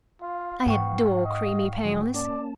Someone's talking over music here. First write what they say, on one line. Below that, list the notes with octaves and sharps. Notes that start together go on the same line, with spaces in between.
I adore creamy paleness.
F4 F5
G#2 B3 F#5 G5 C#6
D#5
D3 F3 F#3 G#4
A#3 C#4 D5 A5